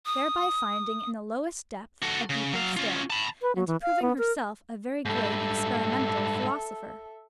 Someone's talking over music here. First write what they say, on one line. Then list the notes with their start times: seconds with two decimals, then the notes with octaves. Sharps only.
Thereby finding in the lowest depth a deeper still; and proving herself a very great experimental philosopher.
0.06 D#6
2.02 F#4 A4
2.30 C#3
2.53 F#3 F5
2.77 C#4 F4
3.10 A5 B5
3.42 B4
3.56 F#3
3.67 E3
3.82 F5
4.02 B3
4.18 A#4
5.05 G#2 G3 A4 E5